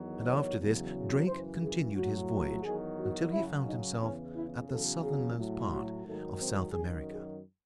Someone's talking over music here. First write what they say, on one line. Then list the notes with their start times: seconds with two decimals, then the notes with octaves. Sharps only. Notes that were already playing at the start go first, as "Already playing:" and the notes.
And after this Drake continued his voyage, until he found himself at the southernmost part of South America.
Already playing: E2 D#3 F#3
0.24 C#5
0.58 E2 C#3 F#3
1.26 F#2 C#3 E3 C5
1.60 G#4
1.94 A2 F#3 F#4
2.63 E2 D#3 F#3 G#4
2.97 F#4
3.31 F#2 C#3 F#3 E4
3.65 D#4
3.99 E2 C#3 E3 C#4
4.34 E4
4.68 E2 C#3 F#3 A4
5.02 G#4
5.36 A2 F#3
5.70 F#4
6.04 G#2 D#3 F#3 A3
6.39 C4
6.72 F#2 D#3 F#3 G#4
7.07 G#4